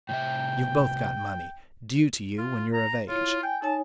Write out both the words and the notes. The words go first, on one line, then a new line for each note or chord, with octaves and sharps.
You've both got money--due to you when you're of age.
A2 C3 E5 G5
F4
A#5
E4 F4 C#5
G5 G#5
D#4 C#5 G#5 A5